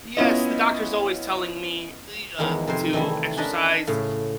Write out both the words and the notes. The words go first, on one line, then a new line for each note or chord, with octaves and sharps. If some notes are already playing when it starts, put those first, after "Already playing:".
Yes, the doctor's always telling me the uh, to exercise,
B3 C#4 E4 F4 D#5
E2 D#3 F3 G#3 D#4 E4
F2 C3 A#4 C5 G#5
D#3 E3 G3 A3 D#4 E4
C#4 D4 A#4 B4 D#5 A5
A2 C#3